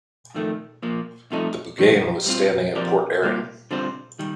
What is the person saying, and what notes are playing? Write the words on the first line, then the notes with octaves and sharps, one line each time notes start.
The Buggane was standing at Port Erin.
F2 D#3 A3
A#2 F3 A#3
C2 C3 F3 A3 D#4
F2 D#3 A3
G3 C4 F4
F3 C4 G4 A#4 D5
C3 G3 A#3 F4
D3 G3 C4 F4 C5
D#3 G3